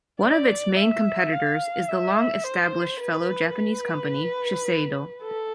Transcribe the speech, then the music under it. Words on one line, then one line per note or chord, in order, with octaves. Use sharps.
One of it's main competitors is the long established fellow Japanese company Shiseido.
D5
E5
F5
E5
C5
B4
B4
A4